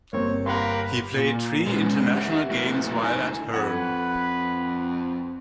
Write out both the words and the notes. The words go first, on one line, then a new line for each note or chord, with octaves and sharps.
He played three international games while at Herne.
G1 A#3 C4 C#5
A#3 G4 A#4 B4 F#5 C6
A#2
G#3 B3 C#4
G4 E5 F#5
A3 E4 F#4 A#4
D3 A3 D#4 E4 G#5
F2 A4 B4 F#5 G#6